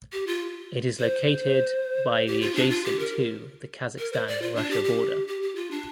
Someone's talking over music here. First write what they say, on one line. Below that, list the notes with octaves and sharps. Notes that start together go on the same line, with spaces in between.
It is located by the adjacent to the Kazakhstan–Russia border.
G4
F4
C5
G4
F4
D4
F4
G4
A#4
A#4
C5
D5
F4
D4
G4
G4
G4
G4
F4
D4